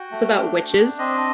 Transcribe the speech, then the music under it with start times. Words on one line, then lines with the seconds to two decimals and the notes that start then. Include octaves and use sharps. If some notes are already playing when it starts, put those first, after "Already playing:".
it's about witches,
Already playing: F#4 G5
0.11 A3
0.41 D4
0.70 D4
0.99 C4 D#5